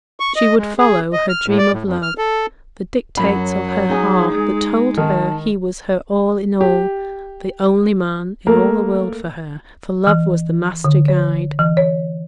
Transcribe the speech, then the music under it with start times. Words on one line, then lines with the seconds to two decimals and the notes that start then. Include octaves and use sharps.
She would follow, her dream of love, the dictates of her heart that told her he was her all in all, the only man in all the world for her for love was the master guide.
0.20 C#6
0.36 D#5
0.58 G#3
0.79 G#4
1.13 D#5
1.29 F6
1.46 A2
1.58 D5
1.72 A2
1.85 F2
2.02 F6
2.18 A4
3.17 F#2 F#3 B5
3.89 D#4 G#4 G#5
4.32 G#3
4.98 D#3 A5
6.61 G4
8.47 A3 A#3 A#4
10.07 E3
10.84 D3
11.08 C#5
11.59 E3
11.77 C#5